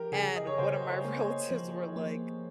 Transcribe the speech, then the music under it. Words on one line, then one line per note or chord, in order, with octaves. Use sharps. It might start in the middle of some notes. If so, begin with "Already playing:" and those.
and one of my relatives were like,
Already playing: F3 G4 A#4
C#3 G#4
D#5
C#5
C#3 C5
C5
A#3
C#5
F3
A#3